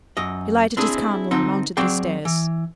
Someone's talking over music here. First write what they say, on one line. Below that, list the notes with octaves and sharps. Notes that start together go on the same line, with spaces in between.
He lighted his candle and mounted the stairs.
F#2 D#5
C4 D4 E4 G#4
D3 C4 D#4
F#3 C4 G#4 D5 G5
E3